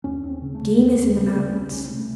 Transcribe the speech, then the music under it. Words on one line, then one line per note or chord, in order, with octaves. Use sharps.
D---- is in the mountains.
D#2 C#4
D#2
C4
C#3
A3
C#3
D#2 C4
D#2 C4
C#3 C#4
A3
C#3 C4
C2 C#4
C2 C#4
C4
C3 A3